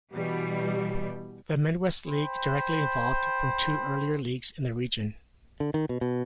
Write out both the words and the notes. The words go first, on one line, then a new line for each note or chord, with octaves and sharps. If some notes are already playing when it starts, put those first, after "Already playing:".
The Midwest League directly evolved from two earlier leagues in the region.
B2 E3 G3
C5 G5 B5
D3
D#3
B2
B2